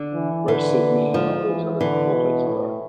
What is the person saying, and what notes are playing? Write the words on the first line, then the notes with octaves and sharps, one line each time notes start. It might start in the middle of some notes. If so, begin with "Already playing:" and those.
where Sydney and all those other cool places are.
Already playing: D3
E3
D3 E3
F3
E3
D3 E3
B2
A2